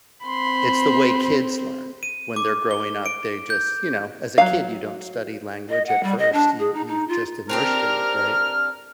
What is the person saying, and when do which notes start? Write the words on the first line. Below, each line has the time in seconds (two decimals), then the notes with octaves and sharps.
it's the way kids learn when they're growing up they just you know, as a kid, you don't study language at first. You've you've just immersed in it, right?
0.26 C4 B5 C6
2.03 D#7
2.36 D6
2.71 G7
3.06 D7
3.50 G6
4.38 F#3 C4 F5
5.69 D#5
5.87 F#5
6.03 G3
6.18 D#5
6.33 D4
6.58 G#4
6.73 D#4
6.87 D#4
7.08 F4
7.49 C4 D4 G4 A#4 F6